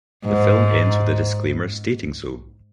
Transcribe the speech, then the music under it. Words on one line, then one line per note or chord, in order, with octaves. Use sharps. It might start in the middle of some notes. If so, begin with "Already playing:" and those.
The film ends with a disclaimer stating so.
G#2